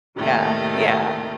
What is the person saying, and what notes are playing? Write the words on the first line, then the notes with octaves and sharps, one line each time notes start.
Yeah, yeah.
D#2 A2 C3 D#3 G3 A3